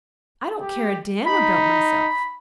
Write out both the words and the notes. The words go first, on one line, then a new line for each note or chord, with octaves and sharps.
I don't care a damn about myself.
G4
D#4 B5